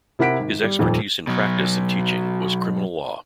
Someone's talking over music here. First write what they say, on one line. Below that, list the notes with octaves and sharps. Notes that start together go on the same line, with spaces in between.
His expertise in practice and teaching was criminal law.
C3 E4 A#4 F#5 B6 D7
G#1
G3
D#1 F2
B2 F#3